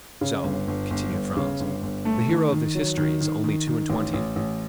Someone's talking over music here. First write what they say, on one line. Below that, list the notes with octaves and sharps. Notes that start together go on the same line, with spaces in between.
"So," continued Franz, "the hero of this history is only two and twenty?"
C#3
G1
G1
G1
G1
C#3
G1
G1
A3
D#3
D#3
F#3
D#3
D#3
D#3
D#3
A1
A1
A1